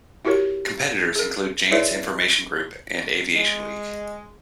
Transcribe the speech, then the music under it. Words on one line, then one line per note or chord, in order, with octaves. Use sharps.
Competitors include Jane's Information Group and "Aviation Week".
E4 F#4 G4 A#4 C#5
G#4 A#4
E4 G#4 B4 C#5 D5 E5
G#3